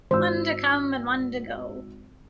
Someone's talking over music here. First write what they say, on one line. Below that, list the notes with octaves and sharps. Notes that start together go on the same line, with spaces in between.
One to come, and one to go.
G#1 C5 E6